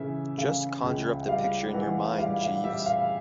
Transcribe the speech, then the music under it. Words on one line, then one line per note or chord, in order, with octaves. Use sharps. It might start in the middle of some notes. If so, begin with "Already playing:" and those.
Just conjure up the picture in your mind, Jeeves.
Already playing: C#3 E3 E5
C#3 F5
C#2
G3 F5
E3 F#5
G3 F5
F5
G3 E5
F5